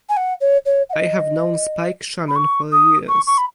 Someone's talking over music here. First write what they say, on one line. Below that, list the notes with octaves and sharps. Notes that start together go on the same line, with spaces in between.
I have known Spike Shannon for years.
G#5
F#5
C#5
C#5
F#5
D#5
B5
C#6
D#6
C#6
C#6
B5